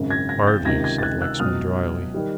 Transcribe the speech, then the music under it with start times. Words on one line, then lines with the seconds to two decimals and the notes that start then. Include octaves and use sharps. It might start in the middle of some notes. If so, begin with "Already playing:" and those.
"Hardly," said Lexman, drily.
Already playing: G#1 F#2 C#3
0.10 G#6 A#6
0.29 G#6 A#6
0.47 G6 A6
0.65 C#2 C3 D#3 G#6 A#6
0.84 G#6 A#6
0.98 A6
1.02 F#6 G#6
1.22 E6 F#6
1.39 C#2 B2 F#3 D#6 F6
2.14 D#3 G3